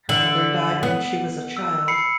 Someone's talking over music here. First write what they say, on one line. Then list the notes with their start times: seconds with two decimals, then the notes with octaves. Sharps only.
Her mother died when she was a child.
0.09 D3 F#7
0.83 B3
1.57 E6
1.88 B5 C7 C#7